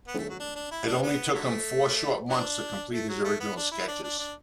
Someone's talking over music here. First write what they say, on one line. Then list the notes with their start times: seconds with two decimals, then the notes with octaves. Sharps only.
It only took him four short months to complete his original sketches.
0.08 B3
0.19 A3
0.29 F#3
0.40 D4
0.56 D4
0.71 E4
0.87 D4
1.03 B3
1.34 D3 F#3 A3
2.29 F#3 B3 D4
2.93 A3
3.09 F#3
3.25 A3
3.40 B3
3.56 D4
3.72 E4
3.88 D4
4.04 D4
4.19 D4